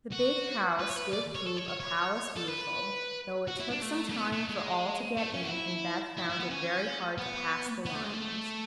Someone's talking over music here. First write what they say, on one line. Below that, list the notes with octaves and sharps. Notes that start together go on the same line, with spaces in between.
The big house did prove a Palace Beautiful, though it took some time for all to get in, and Beth found it very hard to pass the lions.
F#4
B4
C#5
B4
D5
C#5
A4
C#5
C#5
C#5
A4
B4
F#4
E4
D4
A3
A3
B3
A3
G#3
A3
C#4
F#4
E4
E4
E4
B3
C#4
B3
B3
A3
G#3
A3